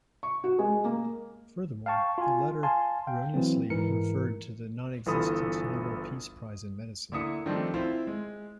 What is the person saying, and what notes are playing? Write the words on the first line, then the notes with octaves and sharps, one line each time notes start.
Furthermore, the letter erroneously referred to the nonexistent Nobel Peace Prize In Medicine.
C#6
F#4
G#3
A#3
F5 G5 A5 C#6
F4 G#5
F5 G#5 A5 C6
F5 G5
E3 F#3 A3 C4
G#2 E3 A#4 C#7
G1 E3 F4 A4 B5 D#6
D3 A#3 E4 E5 D#6 C#7
D#3 F3 G3 A3 C4 D4
C4 E4 F4 C5
G#3